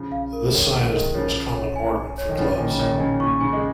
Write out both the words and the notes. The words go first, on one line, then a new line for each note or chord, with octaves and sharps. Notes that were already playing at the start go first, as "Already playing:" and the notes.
This sign is the most common ornament for gloves.
Already playing: C#3 F3
F5
A#4
D#3 G#3 C#5
F3 A#3 A#4
D#3 G#3 A#4
C#3 F3 C#5
C#5
C#5
G#5
G#5
C#5
D#3
C#3 F3 C#5
A#2 D#3 G#5
C#3
A#2 D#3 C#5
D#3
C#3 G#5
A#2 C#6
C#3 G#5
G#3